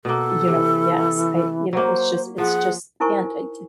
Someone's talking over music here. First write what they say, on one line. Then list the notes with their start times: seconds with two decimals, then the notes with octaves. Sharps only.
you know yes, I you know, it's just it's just, and eh, j
0.05 B2 A#3 A4
0.48 C3 E3
1.73 F#3 A#3 C5
2.38 F3 G#4 F#5
3.00 D#4 E4 A#4 C5 G#5 C#6